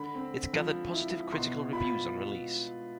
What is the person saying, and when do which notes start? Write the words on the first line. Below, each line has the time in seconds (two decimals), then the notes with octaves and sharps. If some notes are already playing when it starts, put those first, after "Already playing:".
It gathered positive critical reviews on release.
Already playing: D3 B5
0.15 C4
0.53 F3
0.93 E4
1.32 B2 C6
1.72 F4 B5